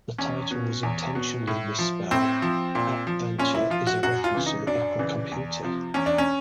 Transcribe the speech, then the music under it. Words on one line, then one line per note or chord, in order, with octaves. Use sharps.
The title was intentionally misspelled; "Apventure" is a reference to the Apple computer.
E2 C#4
B2
E2
B2
A2
F3
A2 C4
F3
A#2
F3
A#2 C#4
E4
F3 F4
F#4
F#2 F#4
F4
C#3 E3
D#4
F#2 D4
C#3 E3
E2
C3 F3
E2 C#4
D4
C#4